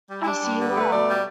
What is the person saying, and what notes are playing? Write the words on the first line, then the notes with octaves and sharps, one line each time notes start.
I see you are.
G3
E4
D4 G4
G2
D3 G4
G4
A3
B4
B2 D5
G3